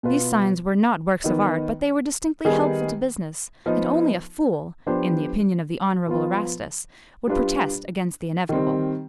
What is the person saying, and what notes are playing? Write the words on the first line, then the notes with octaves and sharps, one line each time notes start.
These signs were not works of art, but they were distinctly helpful to business, and only a fool, in the opinion of the Honorable Erastus, would protest against the inevitable.
B2 B3 F4 B4
D#3 B3 D#4
D#3 G3 B3 D#4 G#4
F3 B3 D#4
F3 B3 D4 G4 C5
F3 B3 F4
G3 D4 F4 B4
D#3 G3 C4